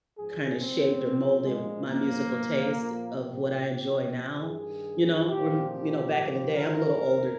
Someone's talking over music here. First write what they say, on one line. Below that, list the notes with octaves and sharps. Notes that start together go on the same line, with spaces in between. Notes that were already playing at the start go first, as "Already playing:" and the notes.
kinda shaped, or molded, my musical taste of what I enjoy now, you know? When you know, back in the day I'm a little older
G#2 F3 G#4
C4
A#2 F3
G#3
G2 F3 A#3
A#2 F3
G4
A#2 F3
G2 D#3 G#4
A#2 F3 G4
G4
G#2 F3
A#4
F2 D#3